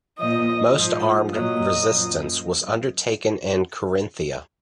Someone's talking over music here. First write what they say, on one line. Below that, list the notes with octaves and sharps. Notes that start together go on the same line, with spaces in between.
Most armed resistance was undertaken in Carinthia.
A#2 F3 D#5
G#2 F3
A#2 F#3 D#5
F#2 F3